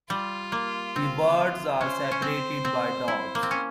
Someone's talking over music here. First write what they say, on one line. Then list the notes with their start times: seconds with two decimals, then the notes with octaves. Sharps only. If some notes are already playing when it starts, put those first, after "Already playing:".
The words are separated by dots.
0.10 G3 F4
0.52 A#3
0.96 C4
1.80 C#4 C5
2.11 C#4
2.22 C4
2.65 C4
3.08 E4
3.35 A#3
3.43 C4
3.51 C#4